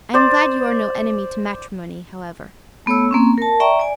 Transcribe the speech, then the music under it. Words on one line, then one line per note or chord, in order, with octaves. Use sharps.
I am glad you are no enemy to matrimony, however.
C5 D5
A3 B3 A4 C#5 E6
A#3 C4 C#4
A#4 A5
D5 E5 G5 A#5 C#6
D5 G#5